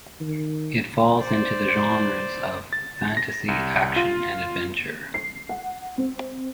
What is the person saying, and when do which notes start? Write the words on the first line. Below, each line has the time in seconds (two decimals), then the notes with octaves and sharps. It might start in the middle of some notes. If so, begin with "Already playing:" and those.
It falls into the genres of fantasy, action and adventure.
0.21 D#3
1.20 C5 D5
2.73 A6
3.17 A#6
3.48 C2
3.96 F4
5.14 C7
5.49 F#5
5.98 C4